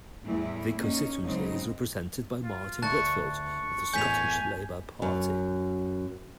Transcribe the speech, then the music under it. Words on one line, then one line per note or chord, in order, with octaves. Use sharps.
The constituency is represented by Martin Whitfield of the Scottish Labour Party.
E2 A2 E3 G3 A3 E4
A#3 C#4 D#4
C#3 F#3 G#3 C4 D#4
F4
D2 A5 C#6 F#6 A6
C#6
E2 A2 G#5 G6 B6 F7
F#2